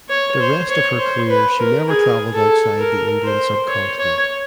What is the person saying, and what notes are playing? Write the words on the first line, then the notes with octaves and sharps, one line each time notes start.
The rest of her career she never travelled outside the Indian subcontinent.
C#5
C5
C#5
C5
B4
A#4
G#4
A4
A#4
C5
C#5
C#5